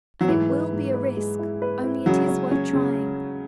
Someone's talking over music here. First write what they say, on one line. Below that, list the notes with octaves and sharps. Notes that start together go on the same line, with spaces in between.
And it will be a risk only it is worth trying.
F#3
G#2 E3
B4
G#2
B4
G#3
E4
B4
E4
C#3 F#3 G#3
C#4
C#4
C#3